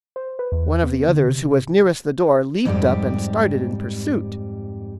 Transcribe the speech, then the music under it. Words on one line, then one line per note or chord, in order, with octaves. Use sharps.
One of the others who was nearest the door leaped up and started in pursuit.
C5
B4
E2
B3
D3
C3
F2 G#2 G3 D#4 G4